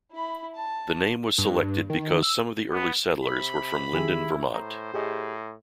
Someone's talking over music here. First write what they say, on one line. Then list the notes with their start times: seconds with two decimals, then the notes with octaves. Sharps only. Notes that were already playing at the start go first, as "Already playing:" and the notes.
The name was selected because some of the early settlers were from Lyndon, Vermont.
0.12 E4 B5
0.55 A5
1.38 G2
1.90 D#3
2.23 E6
2.72 B3
3.23 C3 B5
3.93 D#3 E4 G4 G#4
4.55 A2 C5 A#5
4.94 A2 G4 G#4 D#5